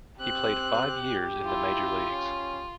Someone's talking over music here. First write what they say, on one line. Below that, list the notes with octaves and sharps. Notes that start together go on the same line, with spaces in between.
He played five years in the major leagues.
C4 G4 F#6
E4 F4
C#4